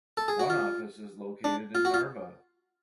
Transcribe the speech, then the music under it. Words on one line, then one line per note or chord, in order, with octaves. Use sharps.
One office is located in Narva.
A4
G#4
F#4
F4
D4
F4
F#4
F4